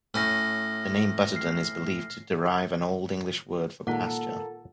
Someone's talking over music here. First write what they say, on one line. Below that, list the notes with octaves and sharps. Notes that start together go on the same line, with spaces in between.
The name Butterdon is believed to derive an Old English word for "pasture".
A2 C#4 F6 A#6
F6 C7
A#2 D#3 G#3 A#3 F4 A4 F#5